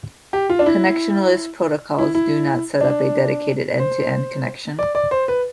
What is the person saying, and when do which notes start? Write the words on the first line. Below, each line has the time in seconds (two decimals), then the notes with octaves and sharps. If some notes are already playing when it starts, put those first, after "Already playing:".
Connectionless protocols do not set up a dedicated end-to-end connection.
0.33 G4
0.50 F4
0.59 D4
0.66 E4
1.99 E4
2.15 E4
2.81 D4
3.79 C5
4.79 D5
4.95 D5
5.11 C5
5.28 B4